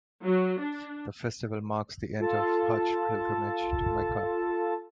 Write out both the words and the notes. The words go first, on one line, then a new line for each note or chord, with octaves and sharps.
The festival marks the end of the Hajj pilgrimage to Mecca.
F#3
D4
F4 A4 A5